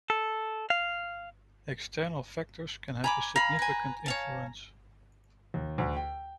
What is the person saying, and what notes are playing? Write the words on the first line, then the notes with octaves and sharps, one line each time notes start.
External factors can have a significant influence.
A4
F5
G#5 A#5 B5 D6
F5 A#5 B5
B4 G#5
C#5 F5 A5
D#2
D2
G5